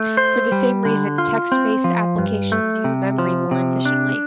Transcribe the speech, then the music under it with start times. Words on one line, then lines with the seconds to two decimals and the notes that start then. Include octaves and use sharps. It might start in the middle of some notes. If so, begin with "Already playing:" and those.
For the same reason, text-based applications use memory more efficiently.
Already playing: A3
0.17 C5
0.52 G3
0.85 D3
1.18 F4
1.52 C4
1.84 F3
2.18 G2
2.52 A3
2.84 C3
3.18 F3
3.51 C3
3.85 D4